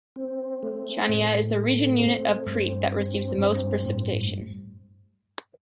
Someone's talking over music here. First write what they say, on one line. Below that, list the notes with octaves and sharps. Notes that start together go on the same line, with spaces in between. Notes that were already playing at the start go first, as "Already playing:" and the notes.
Chania is the regional unit of Crete that receives the most precipitation.
C4
A3
A2
A3
C4
G2
C4
G2
A2